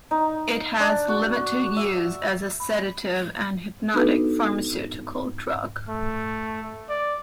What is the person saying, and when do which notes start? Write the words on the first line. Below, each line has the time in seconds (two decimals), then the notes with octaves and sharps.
It has limited use as a sedative and hypnotic pharmaceutical drug.
0.11 D#4
0.80 D4
1.08 F#4
1.77 E5
2.60 B5
3.94 B3 D4 D#4 F#4 A4 B4
5.89 A3
6.89 D5